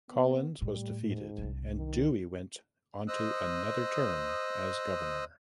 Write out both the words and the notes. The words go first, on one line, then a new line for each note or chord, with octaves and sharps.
Collins was defeated and Dewey went onto another term as Governor.
B3
A2 G3
G#2
C2 D4
D#3
C5 D#5 D#6 E6 F#6